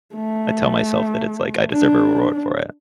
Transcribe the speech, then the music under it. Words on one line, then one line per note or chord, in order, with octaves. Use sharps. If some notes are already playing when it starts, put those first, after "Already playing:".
I tell myself that it's like, "I deserve a reward for it."
A3
D4